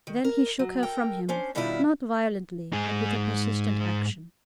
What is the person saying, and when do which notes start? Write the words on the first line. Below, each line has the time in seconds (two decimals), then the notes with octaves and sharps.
Then he shook her from him, not violently, but with a persistent action.
0.07 D#3
0.24 A#4
0.59 F#3
0.83 A4 A#4 G5
1.29 C#4 D4 C5
1.55 B2 D#3 G3 D4 E4 F4
2.73 G#2 G#4